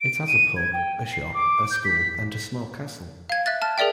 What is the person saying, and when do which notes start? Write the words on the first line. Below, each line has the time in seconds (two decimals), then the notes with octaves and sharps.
It has a pub, a shop, a school and a small castle.
0.01 D7
0.28 D#7
0.56 G#6
0.73 G5
1.12 C7
1.34 D6
1.70 G6
1.85 B6
3.29 F5 G#6
3.46 E5 F#6 A6
3.62 A5 F6
3.78 G#4 A#4 D5 E5 G5